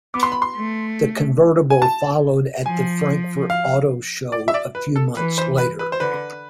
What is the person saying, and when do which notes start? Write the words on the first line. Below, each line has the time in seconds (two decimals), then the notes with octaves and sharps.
The convertible followed at the Frankfurt Auto Show a few months later.
0.14 B3 D6
0.23 C6
0.32 B5
0.42 C6
0.57 A3
1.70 G#5
1.82 A5
2.66 F3 G#5
3.50 F5
4.32 D5
4.48 E5
4.54 D5
4.75 B4
4.96 A4
5.16 E3 B4
5.38 C5
5.58 B4
5.79 B4
5.92 C5
6.00 D3 B4